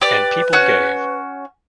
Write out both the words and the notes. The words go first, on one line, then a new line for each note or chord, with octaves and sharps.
And people gave.
G4 B4 D5
C#4 F#4 F#6